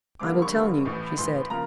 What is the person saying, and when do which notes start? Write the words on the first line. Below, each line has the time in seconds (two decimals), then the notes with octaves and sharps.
"I will tell you," she said.
0.19 F#1 F2 D3 G3 A#3 D6
0.42 C#6
0.52 F#1 F2 D3 G3 A#3
0.84 A1 A2 E3
1.17 A1 A2 E3 C6
1.50 C#3 F3 A#3 A#5